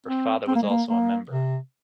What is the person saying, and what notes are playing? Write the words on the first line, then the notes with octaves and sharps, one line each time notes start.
Her father was also a member.
C4
C4
A#3
G#3
A#3
A#3
C3